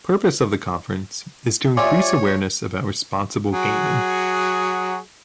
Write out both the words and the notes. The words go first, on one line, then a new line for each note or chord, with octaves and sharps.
Purpose of the conference is to increase awareness about responsible gaming.
F4 G4 C#5 D5 E5 G#5 C6 D6
F#3 F#4 G#4